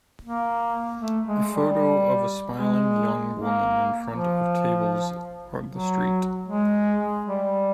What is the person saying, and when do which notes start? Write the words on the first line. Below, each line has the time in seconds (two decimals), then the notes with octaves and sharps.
A photo of a smiling young woman in front of tables on the street.
0.22 A#3
0.99 A3
1.26 G#3
1.52 G3
2.56 G#3
3.35 A#3
4.12 F3
5.69 F#3
6.48 G#3
7.26 G3